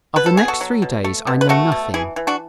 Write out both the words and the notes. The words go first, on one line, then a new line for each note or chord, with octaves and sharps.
Of the next three days I know nothing.
B2 B4
A4
B2 G#4
F#4 A4
F#3
B2
A3
B2
B4
A3 F#4 A4
B2
E3 E4 G#4
E3
D4 F#4